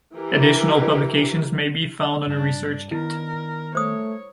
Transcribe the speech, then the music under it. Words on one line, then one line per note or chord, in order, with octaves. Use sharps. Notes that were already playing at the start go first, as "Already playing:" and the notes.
Additional publications may be found on Research Gate.
E3 G4 A#4
G2 D4 A5
D#3 B3 E4 A#4
A3 C5 C#5 D#6